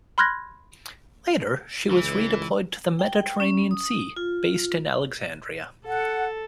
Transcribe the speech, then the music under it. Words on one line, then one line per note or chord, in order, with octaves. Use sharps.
Later, she was redeployed to the Mediterranean Sea, based in Alexandria.
B5 C6 F6 F#6 G#6 A#6
C#2 E3
G5
C#4
D#6
F4
A4 F#5